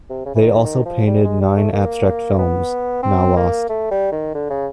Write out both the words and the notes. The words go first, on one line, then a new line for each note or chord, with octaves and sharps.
They also painted nine abstract films, now lost.
C3
C#3
E3
D#3
D#3
F3
G3
G#3
G3
A3
A#3
B3
C4
A#3
A3
G3
D#3
D3
C#3